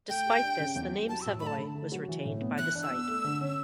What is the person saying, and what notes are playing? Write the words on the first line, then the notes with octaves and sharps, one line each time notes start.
Despite this, the name Savoy was retained by the site.
A3 G5
G4
D4
C#3
E2
G3
F#3 A5
E6
A2
B5
A3 A5
D3
A3
F#3
E3
A2
B3
E3 F#6
D4
E6
B3
A3
D3
C#4